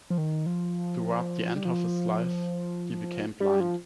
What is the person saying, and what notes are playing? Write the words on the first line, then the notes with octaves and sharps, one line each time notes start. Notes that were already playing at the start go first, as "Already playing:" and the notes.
Toward the end of his life he became blind.
F3
D#3
F3
G3
F3
G3
F3